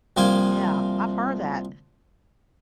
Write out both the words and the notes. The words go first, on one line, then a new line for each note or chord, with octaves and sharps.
Yeah, I've heard that,
C2 F3 A#3 F4 G#5